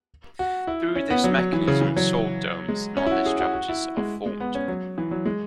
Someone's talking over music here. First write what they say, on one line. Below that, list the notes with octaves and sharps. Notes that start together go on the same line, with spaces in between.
Through this mechanism, salt domes and other structures are formed.
F#4
E4
C#4
B3
F#3
F#3
E3
C#3
E3
F#3
G#3
C#4
E4
F#4
G#4
F#4
F#4
E4
G#3
G#3
B3
C#4
F#3
E3
F#3
G#3